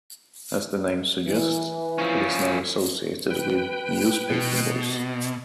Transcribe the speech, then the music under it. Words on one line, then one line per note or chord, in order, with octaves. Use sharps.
As the name suggests, it is now associated with newspaper boys.
E3
F3 C#4
B4 G5
B2